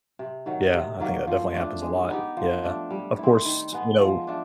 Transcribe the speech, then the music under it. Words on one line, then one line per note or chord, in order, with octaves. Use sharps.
Yeah, I think that definitely happens a lot, yeah, of course, you know
C3
D#3 F#3
C3
D#3 F#3 A#3
F3
A3 D4
G#3
B3 D#4 G4
F3
A3 D4
G3
C4 E4
D#3
G#3 B3
F3
A3 D4